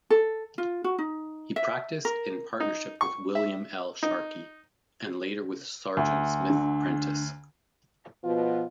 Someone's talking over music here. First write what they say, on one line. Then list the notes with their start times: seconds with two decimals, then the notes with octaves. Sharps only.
He practiced in partnership with William L. Sharkey, and later with Seargent Smith Prentiss.
0.10 A4
0.58 F4
0.84 F#4
0.98 D#4
1.56 E5
2.05 A#4
2.60 D#4
3.01 C#6
3.35 E5
4.03 D#4
5.97 D2
6.50 D3
8.24 B2 F3 F4